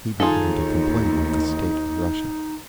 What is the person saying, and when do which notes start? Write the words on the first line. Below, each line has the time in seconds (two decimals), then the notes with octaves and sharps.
He began to complain of the state of Russia.
0.20 D#2 D#4 F4 G#4 A4